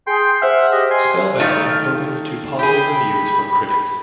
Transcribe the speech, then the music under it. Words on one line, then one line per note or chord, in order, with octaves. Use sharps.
"Spellbound" opened to positive reviews from critics.
G#4 G5 C6
C5 E5 F#5 F6
G4 D#5
G#5 C6
D#3 A3 F4
G4 G#4 B5